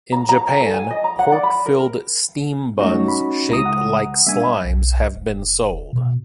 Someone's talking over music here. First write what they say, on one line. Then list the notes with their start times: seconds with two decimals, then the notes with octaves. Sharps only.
In Japan, pork filled steam buns shaped like slimes have been sold.
0.12 A#5
0.29 A#5
0.48 G#5
0.61 A4
0.74 G#5
0.91 D#5
1.04 A#5
1.19 F#5
1.32 D5
1.43 B5
1.66 A#4
2.78 G3 A3 C#4 D#4 F#4
3.08 B5
3.50 C#2 E4 A#5 D#6
3.65 F#5
4.27 G3 A#3 D4 E5 G#5
4.65 B1
5.16 F1
5.93 B2